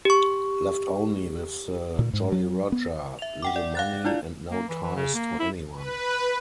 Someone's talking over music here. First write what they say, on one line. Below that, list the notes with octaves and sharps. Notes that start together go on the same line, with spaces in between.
Left only with the Jolly Roger, little money, and no ties to anyone.
G4 C#6
A#2
G#2
F#3
B3
E5 F7
F#5 G5 D6
D5
F5 F#6 A6
D4 E4 F4 D5
A#3
E3
E3
C#3
A#3
E4
B4